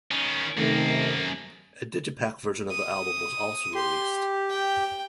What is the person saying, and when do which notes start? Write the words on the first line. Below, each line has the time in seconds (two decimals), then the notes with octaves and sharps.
A digipak version of the album was also released.
0.11 D#3 C#4
0.57 F#2 C3 D#3 A3 A#3
2.71 D#6
3.75 G4 C6
4.50 G5